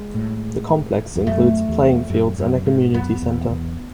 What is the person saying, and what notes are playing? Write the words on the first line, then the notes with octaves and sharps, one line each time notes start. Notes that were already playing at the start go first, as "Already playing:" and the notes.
The complex includes playing fields and a community center.
Already playing: G#3
A2
E2
F#2 A3
E2
F#2
F#2
G#2
F#2 B3
E2
E2